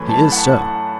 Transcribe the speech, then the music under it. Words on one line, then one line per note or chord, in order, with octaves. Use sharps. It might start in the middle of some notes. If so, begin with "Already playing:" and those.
"He is so."
Already playing: F#2 E3 A3 B5
A5
F#5